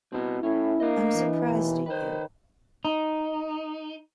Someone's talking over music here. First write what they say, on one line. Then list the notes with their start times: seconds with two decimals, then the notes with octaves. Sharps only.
I'm surprised at you.
0.12 B2 C4 E4
0.43 A2 C#4 E4
0.80 A#3 D4 D#5
1.15 E3
1.49 D#2 B2
1.86 D#3 B4 C5
2.85 D#4